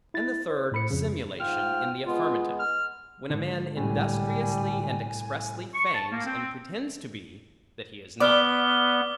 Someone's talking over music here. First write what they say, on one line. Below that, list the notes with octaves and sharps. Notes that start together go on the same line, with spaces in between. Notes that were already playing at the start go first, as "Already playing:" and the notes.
And the third, simulation, in the affirmative; when a man industriously and expressly feigns and pretends to be, that he is not.
E4 A6
C5
A2 B5 C#7
F2 C#3
G#2 F4 G5 F6
G#3 B3 F4
F6
G#2 D3
C2 A2 G3 G#5
C#6
A5
A#3
C4
B3 D5 D6 F6 G7